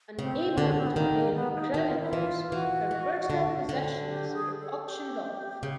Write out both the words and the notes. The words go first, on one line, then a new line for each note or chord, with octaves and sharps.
Unable to pay her creditors, her personal possessions were auctioned off.
C#3 C4
D3 D4
C#4
C4
B3
D#3 A#3
A#3
B3
D#4
D#3 F#4
F4
E4
E3 F4
E3 F#4
E3
D3
D3
G4
G#4
A4
G4
C#3